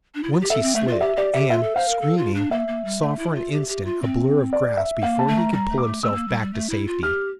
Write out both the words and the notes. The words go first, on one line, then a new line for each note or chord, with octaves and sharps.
Once he slipped, and, screaming, saw for an instant a blur of grass before he could pull himself back to safety.
D4
E4
F4
G4
A4 E5
C4
A3 E5
F4 D5
G4 E5
G4 D5
G4 E5
F4 E5
A4
C5 F5
A#4
A4
F4
D4
A#3 E5
A#3
G3
A3
E4
F4
G4
G4
F4
C4
D5
E5
A#3 F5
A5
A3
A#5
G3 A#5
A3
D6
A3
A3 E6
C4
A#3
G3
G3
A3
E4
F4
G4 F6